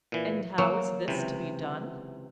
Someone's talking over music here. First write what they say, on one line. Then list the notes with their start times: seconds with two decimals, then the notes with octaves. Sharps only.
"And how is this to be done?"
0.12 A#2 E3
0.58 F#3 A#3
1.08 C#2 C3 E3